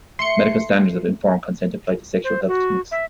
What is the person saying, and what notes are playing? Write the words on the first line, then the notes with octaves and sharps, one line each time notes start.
Medical standards of informed consent apply to sexual health clinics.
A3 C6 C#7
C5
F#4
E5